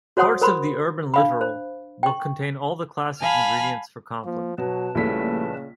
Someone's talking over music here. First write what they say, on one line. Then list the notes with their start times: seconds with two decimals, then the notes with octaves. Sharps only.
Parts of the urban littoral will contain all the classic ingredients for conflict.
0.17 F#4 C5 C#5 F#5 C6 D#6
0.42 A#4 C5 B5 C6
1.14 D4 F5 B5
1.41 C5
2.03 G5 C#6
3.18 F5 G#5 A5 B5 F6
4.25 F3 A#3
4.58 B2 F#3 B4 A5
4.95 A#1 C#3 G3 A3 E4 B6